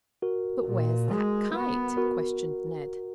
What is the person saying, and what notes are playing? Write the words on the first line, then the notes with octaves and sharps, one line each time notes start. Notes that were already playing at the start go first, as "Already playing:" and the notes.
"But where's that kite?" questioned Ned.
F#4 A#4
A#2
G#3
B3
F#4 A#4